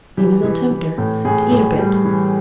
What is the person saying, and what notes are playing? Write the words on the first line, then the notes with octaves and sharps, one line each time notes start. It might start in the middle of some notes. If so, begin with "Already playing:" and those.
Maybe they'll tempt her to eat a bit.
E3 G4
E3
E3
A2
A2 G#4
A2
G3
E3